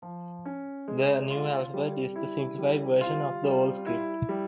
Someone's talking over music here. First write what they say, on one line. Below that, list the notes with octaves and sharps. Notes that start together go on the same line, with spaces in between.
The new alphabet is a simplified version of the old script.
F3
C#4
G#3
F4
G3
E4
G3
F4
G3
E4
G3